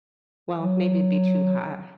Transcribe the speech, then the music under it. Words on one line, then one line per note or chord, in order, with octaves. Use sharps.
well, maybe it'd be too hot,
F#3